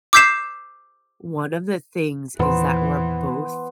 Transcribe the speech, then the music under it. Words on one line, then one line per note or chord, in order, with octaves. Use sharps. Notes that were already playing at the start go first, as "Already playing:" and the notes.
one of the things is that we're both
D6 E6 G6 B6 C7 E7
E2 A#2 D#3 E3 B3 C5